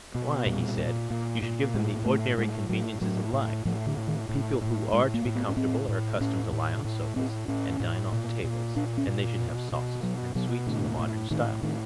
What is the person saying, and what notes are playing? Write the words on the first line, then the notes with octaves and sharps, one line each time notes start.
Why, he said, you should give them the ordinary conveniences of life. People who are to be comfortable are accustomed to lie on sofas, and dine off tables, and they should have sauces and sweets in the modern style.
B2
A#2 G3
A#2
A#2
A#2
A2 G#3
A2 A3
A2 G#3
A2 F#3
A2 F#3
A2
A2 F3
D3
A2
D#3
A2
A2
A2 G#3
A#3
A2
B3
C#4
A2 C4
A2
A2 C#4
A2
A2
A2 C4
A2 C#4
A2
A#2
A#2
A#2 D4
C#4
A#2
B2
B2
B2 F#3
B2 F#3
A2 D3
A2
A2 D#3
A2 D#3